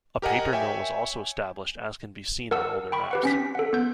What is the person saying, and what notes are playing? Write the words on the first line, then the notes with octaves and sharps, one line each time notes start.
A paper mill was also established as can be seen on older maps.
G4 A#4 D#5 F#5 G#5
C#5 E5 G5 G#5
A#4 F#5 A5 E6
G5 B5 C#6
G4 B4 F#5
C4 C#4 B6
A4 F#5
B3 G6